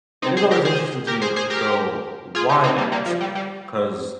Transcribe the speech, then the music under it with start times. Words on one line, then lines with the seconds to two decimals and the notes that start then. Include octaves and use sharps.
It is always interesting to me, though, why they ask it, 'cause
0.22 C4 D#4
0.37 G#4 C5
0.51 G4 A#4
0.65 G#4 C5
1.07 G4 A#4
1.22 G#4 C5
1.36 G#4 C5
1.50 G4 A#4
2.35 F4 G#4
2.49 D#4 G4
2.64 C4 D#4
2.78 G3 A#3
2.92 G3 A#3
3.06 F3
3.21 G3
3.35 G3